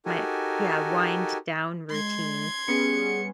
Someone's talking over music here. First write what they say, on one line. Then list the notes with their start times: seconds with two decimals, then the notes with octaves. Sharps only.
my yeah, wind-down routine.
0.06 D#4 F#4 G4 A4 A#4 G#5
1.90 G#3 C6 G#6
2.68 G3 B3 C#4 G#4 C#7